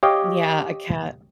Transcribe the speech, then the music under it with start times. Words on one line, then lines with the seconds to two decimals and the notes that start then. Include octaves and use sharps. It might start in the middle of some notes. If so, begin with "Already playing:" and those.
Yeah, a cat.
0.03 G4 C#5 D#5 F5 G5